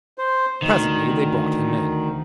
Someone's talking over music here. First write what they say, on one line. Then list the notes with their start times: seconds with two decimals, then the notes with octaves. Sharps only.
Presently they brought him in.
0.18 C5
0.62 D2 D#3